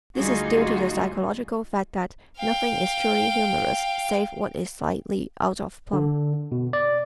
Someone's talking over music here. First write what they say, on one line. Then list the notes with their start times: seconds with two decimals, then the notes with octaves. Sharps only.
This is due to the psychological fact that nothing is truly humorous save what is slightly "out of plumb."
0.18 D2 G3 D#4 F4 F#4 G#4
2.37 F5 G5
5.93 D3
6.52 B2
6.73 D5